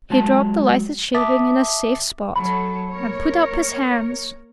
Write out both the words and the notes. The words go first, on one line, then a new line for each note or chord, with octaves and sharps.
He dropped the lighted shaving in a safe spot and put up his hands.
F#3 G#3 A5
E5 A5 D6 D#6 A6 B6
F#3 A4 C#5 B5
A#3 A#4 C#5